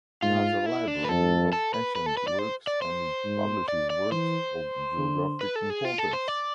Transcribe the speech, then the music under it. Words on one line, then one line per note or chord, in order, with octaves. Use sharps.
It has a library of ancient works and it publishes works of geographic importance.
G#2 F4
E4
D4
B4
F2 A4
A4
B4
B4
A4
B4
D5
C5
D5
C5
G#2
D5
D5
E3 C5
D3
B4
A4
G#4
F4
A4
C5
D5